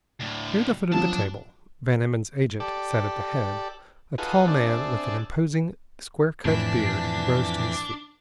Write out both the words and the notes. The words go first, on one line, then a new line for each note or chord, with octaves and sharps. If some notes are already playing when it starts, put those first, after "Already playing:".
Near the foot of the table--Van Emmon's agent sat at the head--a tall man with an imposing, square-cut beard rose to his feet.
D2 A2
F3 F#3 D4 F4 A5
G4 A4 D5
D#4 F4 F#4 G#4 A4 B4
C4 D4 G#4 D5 E5 A5
F2 A2 E3 D4 B6